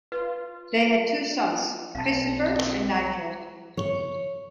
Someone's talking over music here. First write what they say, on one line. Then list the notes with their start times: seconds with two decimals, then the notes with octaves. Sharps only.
They had two sons, Christopher and Nigel.
0.12 F4 B4
1.95 B1 C4 F5 A5
3.77 C#5